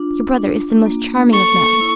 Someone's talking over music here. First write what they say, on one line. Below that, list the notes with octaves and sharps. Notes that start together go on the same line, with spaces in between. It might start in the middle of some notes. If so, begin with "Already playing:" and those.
Your brother is the most charming of men.
Already playing: D4 F4
D4
A#3
A4 C#6
E4